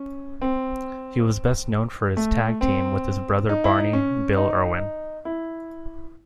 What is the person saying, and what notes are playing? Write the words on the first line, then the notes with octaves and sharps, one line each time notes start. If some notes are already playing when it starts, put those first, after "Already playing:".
He was best known for his tag team with his brother Barney "Bill" Irwin.
Already playing: C#4
C4
A3
C4
D#4
E4
D#4
C#4
D#4
E4